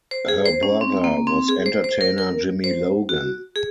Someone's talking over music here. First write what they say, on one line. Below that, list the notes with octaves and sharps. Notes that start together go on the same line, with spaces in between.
Her brother was entertainer Jimmy Logan.
C5
G#4
C5
C#4
C4
A#3
C4
G#4
C5
C5
A#4
A#4
C5
F#4
G#4